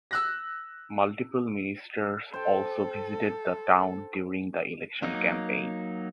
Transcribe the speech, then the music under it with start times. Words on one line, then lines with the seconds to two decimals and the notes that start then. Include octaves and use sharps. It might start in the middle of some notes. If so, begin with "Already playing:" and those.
Multiple ministers also visited the town during the election campaign.
0.11 E6 F#6 A#6
2.34 A4 C5 G5
5.03 F#3 A#3 D#4